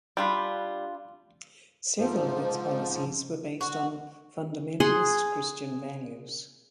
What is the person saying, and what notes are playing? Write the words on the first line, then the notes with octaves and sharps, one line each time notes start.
Several of its policies were based on fundamentalist Christian values.
G3 D4 F4 B5
G#2 F3
F#4
G#4 F#5 C6